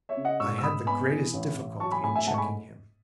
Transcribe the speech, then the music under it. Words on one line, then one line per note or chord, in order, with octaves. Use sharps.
I had the greatest difficulty in checking him.
C#5 E5
C#3
D#5 F#5
G#2 C#6 E6
E6
G#2 B5 D#6
B3 G#5 B5
E3
A1
A1
F#3 A5 C#6
G#5 B5
A2 G#5 B5
E5 G#5
G#2 F#5 A5
C#6
G#5 B5